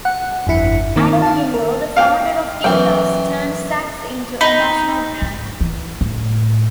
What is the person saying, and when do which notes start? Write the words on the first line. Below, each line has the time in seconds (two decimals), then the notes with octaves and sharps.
Adam Gimbel, the founder of Gimbels, turned Saks into a national brand.
0.05 F#5
0.47 G1 F2 E4 C#7
0.96 D#3 A#3 C4
1.22 F5 A5
1.54 A#4
1.97 F5 G5
2.64 F#2 E3 G5
4.41 D#4 B5
5.22 G#2
5.61 E3
6.01 A2